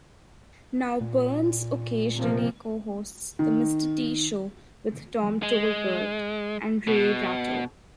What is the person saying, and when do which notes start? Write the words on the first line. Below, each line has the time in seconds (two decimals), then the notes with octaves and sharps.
Now Byrnes occasionally co-hosts the Mr. T. show with Tom Tolbert, and Ray Ratto.
1.01 A#2
2.18 C3 F3 A#3
3.39 D#3
5.43 G#3
6.88 B2